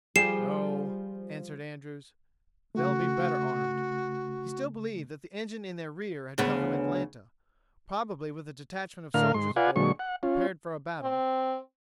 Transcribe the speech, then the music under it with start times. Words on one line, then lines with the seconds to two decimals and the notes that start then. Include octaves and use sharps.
"No," answered Andrews; "they'll be better armed." He still believed that the engine in their rear had come from Atlanta--probably with a detachment of soldiers aboard, prepared for a battle.
0.16 F3 G3 G#4 C7 E7
2.75 C#3 A3 F#4
6.38 D2 C#3 B3
9.14 A2 D3 A#4 F5 F6
9.34 G#2 C6
9.56 F4 B4 D5 F5 F#5 G#5
9.76 A#2 D3 F#3 G#3 C#6
9.99 F#5
10.23 C#4 F4
11.01 C4